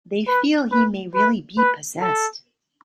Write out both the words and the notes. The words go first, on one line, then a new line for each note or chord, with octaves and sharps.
They feel he may really be 'possessed'.
B4
B4
B4
B4
A4